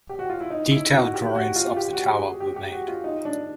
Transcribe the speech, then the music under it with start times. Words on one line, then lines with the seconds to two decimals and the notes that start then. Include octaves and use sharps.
Detailed drawings of the tower were made.
0.09 G4
0.19 F#4
0.30 F4
0.40 E4
0.50 D#4
0.71 E4
0.93 F#4
1.14 G4
1.35 F#4
1.56 F4
1.77 G4
1.93 F#4
2.09 G#4
2.40 G4
2.56 G4
2.72 F#4
2.88 F4
3.04 D#4
3.25 D4